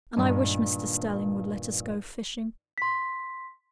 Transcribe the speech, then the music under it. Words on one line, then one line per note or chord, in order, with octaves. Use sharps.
And I wish Mr. Stelling would let us go fishing.
G2 A#2 D#3 G#3
C6 B6